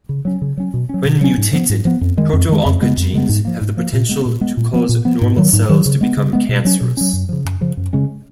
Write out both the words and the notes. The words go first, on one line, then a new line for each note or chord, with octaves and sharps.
When mutated, proto-oncogenes have the potential to cause normal cells to become cancerous.
C#3
F#3 C#4
C#3
F#3 C#4
B2
F#3 C#4
B2
F#3 C#4
G#2
F3 B3
G#2
F3 B3
F2
D#3 G#3
F2
D#3 G#3
F2
C#3 G#3 B3
F2
C#3 G#3 B3
G#2
F3 A#3
G#2
F3 A#3
A#2
G#3 B3
A#2
G#3 B3
A#2
F3 B3
A#2
F3 B3
G#2
D#3 F#3
G#2
D#3 F#3
C#3
G#3 B3
C#3
G#3 B3
B2
F#3 C#4
B2
F#3 C#4
F#2
C#3 F3
F#2
C#3 F3
F#2
C#3 G#3 C#4